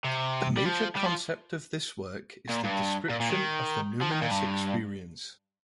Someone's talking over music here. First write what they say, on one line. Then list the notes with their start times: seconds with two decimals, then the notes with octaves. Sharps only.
A major concept of this work is the description of the numinous experience.
0.05 C3
0.58 G3
0.66 F3
0.96 G3
1.06 F3
2.49 A#2
2.64 G2
3.09 A#2
3.20 A#2
3.30 D#3
4.01 F3
4.11 D#3
4.22 A#2
4.31 G2